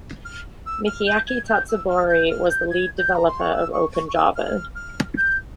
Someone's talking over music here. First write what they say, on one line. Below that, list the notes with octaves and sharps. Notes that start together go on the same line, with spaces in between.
Michiaki Tatsubori was the lead developer of OpenJava.
F6
E6
F6
G6
G#6
G6
E6
F6
G6
F6
G6
G#6
G6
A#5
C6
C#6
E6
C#6
C#6
C#6
E6
F6
F6
G6